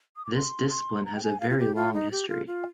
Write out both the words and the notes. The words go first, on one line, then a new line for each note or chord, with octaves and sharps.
This discipline has a very long history.
D#6
D6
C6
C6
A#5
G5
G#5
F5
F4
G4
F4
D#4
G4
F4
F4